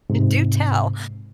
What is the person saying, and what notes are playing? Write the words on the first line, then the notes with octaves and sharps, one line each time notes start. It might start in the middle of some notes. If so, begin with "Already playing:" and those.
Do tell.
G#2 C3